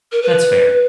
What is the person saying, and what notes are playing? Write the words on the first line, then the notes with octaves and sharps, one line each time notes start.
That's fair.
A#4
B4